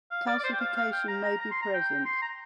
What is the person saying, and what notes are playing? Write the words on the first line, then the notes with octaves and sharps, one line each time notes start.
Calcification may be present.
F5
D5
D5
C5
G5
F5
F5
G5
A#5
A#5
A#5
C6
A#5
G5
C6
A#5